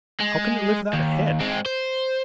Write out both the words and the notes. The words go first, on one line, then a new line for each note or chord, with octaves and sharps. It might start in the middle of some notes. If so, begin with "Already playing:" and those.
How can it live without a head?
G#3
D#2
G#3 C4
C5